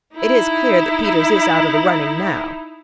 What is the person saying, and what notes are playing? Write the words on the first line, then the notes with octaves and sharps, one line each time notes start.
It is clear that Peters is out of the running now.'
D#4 E4